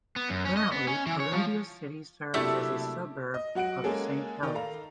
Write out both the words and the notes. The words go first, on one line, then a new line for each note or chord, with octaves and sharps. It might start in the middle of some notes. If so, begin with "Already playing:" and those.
Currently, Columbia City serves as a suburb of Saint Helens.
B3
F#2
C#4
D#5
B3
C#4
E3
C#5
F3
C3 F#3 A3 A#3 D4 E4 G4 E5
D#5
F#3 F#4 F#5 F#6 D7
G#3 A#3 C#4 G#4 A4
D#3 D5
A4 A#4 F5 A#5